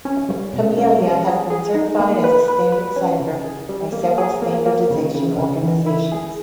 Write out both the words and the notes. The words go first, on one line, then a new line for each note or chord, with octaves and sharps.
Camellia has been certified as a standard cipher by several standardization organizations.
C#4
G3
B2
C#4
G3
G#4
G#4
D#4
A#3
B4
B4
B4
C#4
C#3
G#4
G3
A#3
G#4
A#3
A#3
C#3
C#3
C#3
E3
E4
G#4